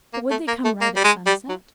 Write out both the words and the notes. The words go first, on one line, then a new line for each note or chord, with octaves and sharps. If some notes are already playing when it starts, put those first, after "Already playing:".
'But would they come right at sunset?'
A#3
A3
A#3
A3
A#3
G3
G#3
G3
F#3